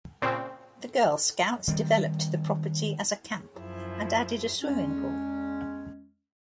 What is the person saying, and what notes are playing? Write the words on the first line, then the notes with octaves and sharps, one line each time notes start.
The Girl Scouts developed the property as a camp, and added a swimming pool.
A#2 C#3 C4
D#3 G3 C4
F#2 F3 E4
E2 G#3 C#4